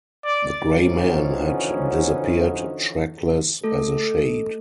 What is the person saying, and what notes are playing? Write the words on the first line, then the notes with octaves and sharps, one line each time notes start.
The gray man had disappeared, trackless as a shade.
D5
D3 E3 F3 C#4 D#4 F#4
A3 A4